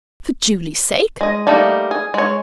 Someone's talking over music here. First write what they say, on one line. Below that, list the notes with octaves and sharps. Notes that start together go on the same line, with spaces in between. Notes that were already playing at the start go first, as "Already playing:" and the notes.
"For Julie's sake!"
G#3 D#5
G3 A3 A#3 D#4
G#4
G#3 C#5